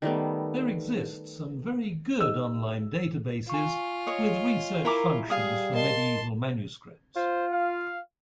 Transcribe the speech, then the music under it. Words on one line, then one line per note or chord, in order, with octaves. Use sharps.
There exist some very good online databases with research functions for medieval manuscripts.
D#3 G3 A3 B3
D#4 G4 D#5 E6
F4 G#5 C#6
C#5 D#5
E4 A#4 A#5 D6
G3 G#4 F5 D#6
A#4 D#5 A5 C6
F4 C5
F5